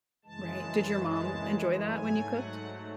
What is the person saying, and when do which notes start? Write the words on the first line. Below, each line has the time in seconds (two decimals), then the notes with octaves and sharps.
Right. Did your mom enjoy that when you cooked?
0.24 F#2 C#3 E3 G#3 A5
1.08 A5
1.92 G#2 F#3 A3 G#5
2.33 F#5